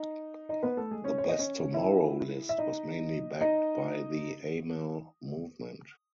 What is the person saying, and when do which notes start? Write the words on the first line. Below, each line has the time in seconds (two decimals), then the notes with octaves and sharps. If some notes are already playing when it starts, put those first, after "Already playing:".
The "Best Tomorrow" list was mainly backed by the Amal Movement.
Already playing: D#4
0.49 D#4 D#5
0.63 B3 B4
0.77 A3 A4
0.91 G#3 G#4
1.04 C#4 C#5
1.18 C#5
1.29 D#5
1.39 C#4 C#5
1.74 E4 E5
2.49 E5
2.58 D#4 D#5
3.41 D#4 D#5